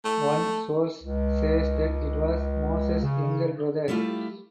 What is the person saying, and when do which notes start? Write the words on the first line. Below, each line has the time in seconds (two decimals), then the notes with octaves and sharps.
One source says that it was Moses younger brother.
0.05 A3
1.03 C#2
3.02 C#3
3.88 G3 A3 C#4 E4 F4 G4